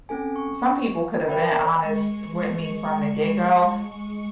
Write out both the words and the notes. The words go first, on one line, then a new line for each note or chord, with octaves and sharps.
some people could have been honest with me from the get-go,
C4 C#4 A4 G#5
C#6
A#4 C5 D5 E5 G5 B5
G#3 C#6